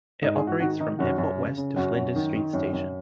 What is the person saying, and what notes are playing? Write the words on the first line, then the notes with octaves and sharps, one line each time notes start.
It operates from Airport West to Flinders Street station.
G#2 D#5
G#4
G#2
F#4
D#3 F#4
D#3 D#4
F#2 F#4
F#2
C#3
C#3
F#2 F#4
F#2
D#3
D#3
F#2
F#2